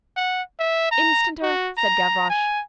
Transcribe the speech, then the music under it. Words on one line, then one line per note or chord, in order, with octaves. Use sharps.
"Instanter," said Gavroche.
F#5
E5
A#5
F#4
A#5
G#5